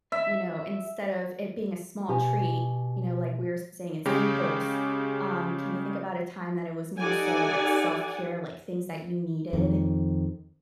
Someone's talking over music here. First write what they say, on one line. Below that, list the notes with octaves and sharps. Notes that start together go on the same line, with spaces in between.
you know, instead of it being a small treat you know, like we were s-saying it's impulse. Um, can you think about a time that it was more so, like, self-care, like, things that you needed?
E5
B2 G4 G#5
C#3 G#3 G4
D#4 G4 A4 D5 F#5 G#5
F2 D#3